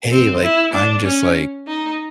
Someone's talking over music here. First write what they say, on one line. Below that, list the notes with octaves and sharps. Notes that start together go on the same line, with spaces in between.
hey. Like, I'm just like,
C4
E4
D4
C#4
D#4